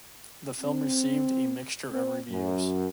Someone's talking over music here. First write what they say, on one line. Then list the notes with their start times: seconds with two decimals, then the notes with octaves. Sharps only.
The film received a mixture of reviews.
0.59 C4
1.92 C4
2.31 F#2